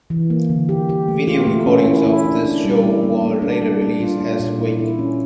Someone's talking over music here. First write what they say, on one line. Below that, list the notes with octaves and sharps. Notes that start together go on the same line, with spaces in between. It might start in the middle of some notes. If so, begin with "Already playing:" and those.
Video recordings of this show were later released as "Wake".
E3
A#3
D3
G4
G4
A3
F4
A3
C#4
E4
E4
D4
D4
G3
E4
A#3
A#3
D4
G3
D4
F4
D4
A#2
E4
E4
C#4